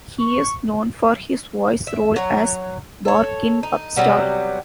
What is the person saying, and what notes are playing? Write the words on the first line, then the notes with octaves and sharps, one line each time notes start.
He is known for his voice role as Bark in "Pup Star".
C#6
E5
F#3 C#5
A4 C#5
D#4
C3 F#3 G3 B3